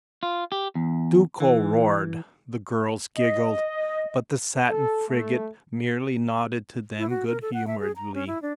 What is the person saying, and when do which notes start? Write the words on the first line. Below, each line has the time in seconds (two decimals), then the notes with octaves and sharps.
Duco roared, the girls giggled, but the Satin Frigate merely nodded to them good-humouredly.
0.23 F4
0.52 G4
0.75 E2
1.40 E3
3.17 D#5
4.69 A4
5.08 A3
6.98 E4
7.10 F#4
7.27 A#4
7.42 A4
7.54 F#5
7.67 E5
7.79 G#4
7.96 A#5
8.14 C#4
8.27 E4
8.42 D4